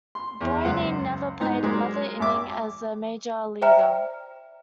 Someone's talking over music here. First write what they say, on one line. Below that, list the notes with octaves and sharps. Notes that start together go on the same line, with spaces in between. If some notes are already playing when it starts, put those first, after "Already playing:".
Breining never played another inning as a Major Leaguer.
C6
E2
C#2 F#2 C5 F#5
G#2 B3 D#4 A#5
F#3 G#3 A#4 C5 D5
G#1 E5 D6
C5 D5 E5 G5 A#5 F6